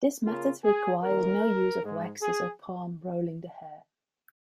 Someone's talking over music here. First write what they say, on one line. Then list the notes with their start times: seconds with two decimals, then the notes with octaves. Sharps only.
This method requires no use of waxes or palm rolling the hair.
0.25 C#3 A#3 F4
0.64 G#4
1.03 F2 D#3 A#3 A#4
1.82 G#2 G#3
2.22 G#4